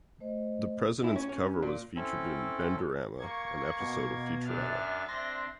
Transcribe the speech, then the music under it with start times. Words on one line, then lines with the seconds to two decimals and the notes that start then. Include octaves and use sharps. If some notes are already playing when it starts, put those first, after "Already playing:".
The Presidents' cover was featured in "Benderama," an episode of "Futurama".
0.20 A3 C5 D#5
1.04 E4
1.16 C#4
1.29 C#4
1.63 A#2
1.96 C4 C#4 E4 A4
3.19 A#3 C#6 G#6
3.80 B2
4.44 F#2 D4 E5 F6 A6
5.08 C4 D4 C6 A#6